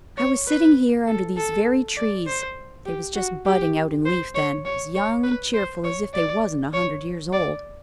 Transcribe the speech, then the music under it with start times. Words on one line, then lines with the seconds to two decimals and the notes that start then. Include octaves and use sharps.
I was sitting here under these very trees--they was just budding out in leaf then, as young and cheerful as if they wasn't a hundred years old.
0.18 C#5
0.48 B4
1.07 A4
1.37 A4
1.97 D5
2.27 C5
2.86 G4
3.16 F#4
3.46 G4
4.05 C5
4.35 C#5
4.65 C#5
4.95 C#5
5.24 B4
5.54 C5
5.84 C#5
6.13 D5
6.73 C#5
7.33 D5